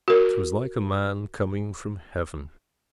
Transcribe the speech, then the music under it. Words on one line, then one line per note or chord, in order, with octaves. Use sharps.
It was like a man coming from heaven.
F#4 A#4